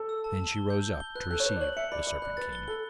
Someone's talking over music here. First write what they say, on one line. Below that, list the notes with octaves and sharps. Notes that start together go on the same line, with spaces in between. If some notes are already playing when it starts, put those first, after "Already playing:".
Then she rose up to receive the Serpent King.
Already playing: A4
E6
A5
A5
G7
G6
G6
G7
B4 F#6
A4 F#6
C#5
B4 F#6
D5
C#5 F#7
E5 C#7
D5 B5
D5 B5
D5 F#6
B4 A6
G7
A4 G7